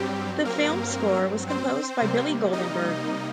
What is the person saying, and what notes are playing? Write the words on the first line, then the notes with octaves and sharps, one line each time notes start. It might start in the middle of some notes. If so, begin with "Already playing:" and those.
The film score was composed by Billy Goldenberg.
Already playing: G2 F#3 G3 C4 G4
A#3 A#4
C4 C5
C3 G3 A#3
D#4 D#5